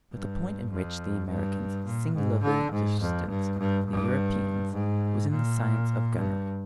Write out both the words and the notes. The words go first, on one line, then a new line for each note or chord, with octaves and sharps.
But the point in which the Americans singularly distanced the Europeans was in the science of gunnery.
G2
F2
G2
A#2
G#2
D3
G#2
F2
G2
G2
G2
G#2
A#2
G2